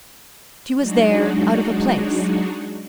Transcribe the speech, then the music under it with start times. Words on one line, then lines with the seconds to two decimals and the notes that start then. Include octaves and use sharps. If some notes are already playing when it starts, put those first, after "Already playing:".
She was there, out of a place.
0.76 F#3 G#3 D4 D#4 F#4